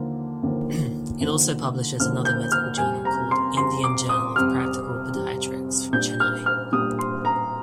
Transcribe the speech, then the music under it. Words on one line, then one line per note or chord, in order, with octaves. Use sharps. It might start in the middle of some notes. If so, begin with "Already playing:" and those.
It also publishes another medical journal called Indian Journal of Practical Pediatrics from Chennai.
Already playing: D#2 D3 F3 A#3
D#2 D3 F3 A#3
D#2 D3 F3 A#3
D#2 D3 F3 A#3 F6
G6
F6
F2 C3 G3 G#5
A#5
C6
F2 C3 G3 C6
D6
D#6
F2 C3 G3 F6
F2 C3 G3
A#2 G3 D4 G6
F6
F6
A#2 G3 D4 D#6
C6
A#5